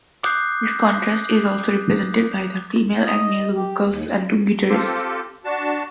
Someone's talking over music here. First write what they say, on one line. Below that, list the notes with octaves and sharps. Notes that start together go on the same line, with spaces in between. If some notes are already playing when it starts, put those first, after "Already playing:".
This contrast is also represented by the female and male vocals and two guitarists.
D6 D#6 F#6 G6 C7
D#5
G4
D#2
C4 F4 G4 A4
D4 F#4 A5